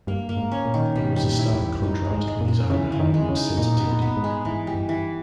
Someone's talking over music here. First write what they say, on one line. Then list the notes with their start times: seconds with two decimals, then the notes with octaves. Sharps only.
It was a stark contrast with his own heightened sensitivity.
0.07 G2 A#3
0.29 A#3
0.37 G#2
0.52 C#4
0.65 A#2
0.74 D#3
0.96 B2 G3
1.16 G3
1.24 A#2
1.38 E4
1.53 E2
1.60 G4
1.82 G2 D#4
2.05 G#3
2.11 G#2
2.27 G#3
2.41 A#2
2.48 G#3
2.70 C#3 E3
2.92 E3
3.00 D#3
3.14 G#3
3.29 C#3
3.37 D#4
3.57 A#2 D#4
3.80 B3
3.87 A#2
4.02 B3
4.17 G#2
4.24 G#3
4.45 G#2 E3
4.67 G3
4.75 G2
4.89 E3